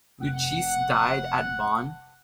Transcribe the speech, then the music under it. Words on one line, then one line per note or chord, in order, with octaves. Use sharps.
Luchesi died at Bonn.
F1 C3 F#5